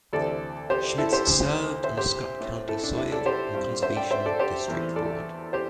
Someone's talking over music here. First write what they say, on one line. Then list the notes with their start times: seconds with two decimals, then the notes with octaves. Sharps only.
Schmitz served on the Scott County Soil and Conservation District Board.
0.13 D2 C3 E3 C4 A4 D5
0.70 G4 C5
0.98 E4 A4
1.13 G4 C5
1.27 D2 D3 C4
1.84 C5 E5
1.97 G4 C5
2.40 A2 A3 C4
2.68 E4 A4
2.83 D4
2.97 E4
3.12 A4 D5
3.26 G4 C5
3.54 G2 G3 C4
3.82 C5 E5
3.96 D5 G5
4.11 C5 E5
4.26 A4 D5
4.39 G4 C5
4.68 E2 E3 A3 C4
4.96 A4 D5
5.53 G4 C5